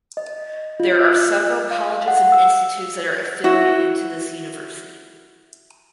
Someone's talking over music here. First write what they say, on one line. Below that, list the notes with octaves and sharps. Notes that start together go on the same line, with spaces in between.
There are several colleges and institutes that are affiliated to this university.
D#5
F4
F#6
F5
F#5
E6
E4 F#4